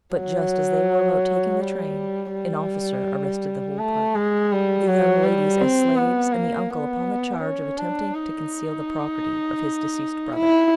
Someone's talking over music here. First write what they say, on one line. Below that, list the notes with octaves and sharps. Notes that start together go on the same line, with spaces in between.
But just as they were about taking the train, an officer arrested the whole party; the young ladies as slaves, and the uncle upon the charge of attempting to conceal the property of his deceased brother.
F#3
G3
G3
A3
G#3
G3
F#3
G3
C4
B3
A#3
B3
C#4
D4
D#4
E4